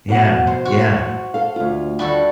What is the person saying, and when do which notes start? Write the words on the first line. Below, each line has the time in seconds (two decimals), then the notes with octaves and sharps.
Yeah, yeah.
0.09 F2 B2 F#5
0.47 C5
0.65 F#4
1.34 A4 F5
1.56 D2 F4
1.99 G3 F#4 A4